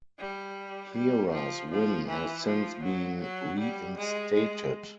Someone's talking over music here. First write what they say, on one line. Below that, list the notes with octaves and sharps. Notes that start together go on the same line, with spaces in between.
Heras' win has since been reinstated.
G3
G3
F3
F3
E3
F3
F#3
F#3
G3
G#3
G#3